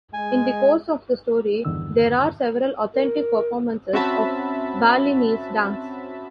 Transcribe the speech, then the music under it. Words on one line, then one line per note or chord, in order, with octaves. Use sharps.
In the course of the story there are several authentic performances of Balinese dance.
G#3 G#5
E2 G2 D3 D#3 E6
A#4
C4 C#4 F#4 E5 A5 B5